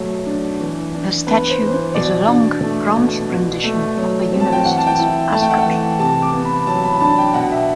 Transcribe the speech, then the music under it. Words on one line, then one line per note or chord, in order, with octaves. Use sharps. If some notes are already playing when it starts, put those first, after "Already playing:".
The statue is a long, bronze rendition of the University's mascot.
Already playing: B2 F#3 A3
D4
E3
D4
B3 B4
C5
E3
C5
B2 D5
D4
A3
B2
B2
A3
F#3
C4
A5
G5
E3 F#5
A5
G5
E4
A3 A5
G5
F#5
E3 G5
C3 A5
D6
B3
B5
F#3 A5
B5
B5
D4 A5
G5
B2 F#5
E5